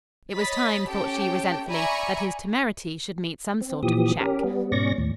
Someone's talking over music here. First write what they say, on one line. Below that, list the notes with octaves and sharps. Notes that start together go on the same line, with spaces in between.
It was time, thought she resentfully, that his temerity should meet some sort of check.
C#5 D#5 B5 A6 B6
C#4 G4 A4 C#5 G5 A5
D5 E5 G#5 A#5 B5 C#6
C4
A#2 E3 F3 G4 D#6
C#4 G4 A#4
G3 B3
G#2 B2 C#4 D5 C#6 A#6
D#2 A2